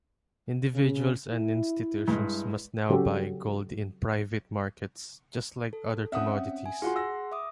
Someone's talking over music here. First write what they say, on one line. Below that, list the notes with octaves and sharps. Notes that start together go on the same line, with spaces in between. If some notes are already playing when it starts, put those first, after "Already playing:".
Individuals and institutions must now buy gold in private markets, just like other commodities.
C#3
E4
G2 G#3
C#3 F#3 C4 F#4 G4 A4
A4
C4 C#4 E5 F#5 D#6
G#5
F4 F#4 G#4 F#5 C6
E6 A#6
E5 D6 D#6